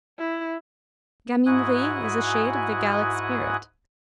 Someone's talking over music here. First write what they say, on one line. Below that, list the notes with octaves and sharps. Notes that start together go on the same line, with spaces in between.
Gaminerie is a shade of the Gallic spirit.
E4
G#2 E4 F#4 G#5 D#6 F#6